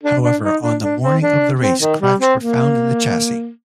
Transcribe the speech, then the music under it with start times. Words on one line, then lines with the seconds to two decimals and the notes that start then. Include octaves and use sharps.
However, on the morning of the race, cracks were found in the chassis.
0.03 D4
0.23 D4
0.43 D#4
0.62 D4
0.82 D4
1.02 C4
1.22 D4
1.61 C4
1.81 D#3
2.01 G3
2.20 C4
2.40 A#3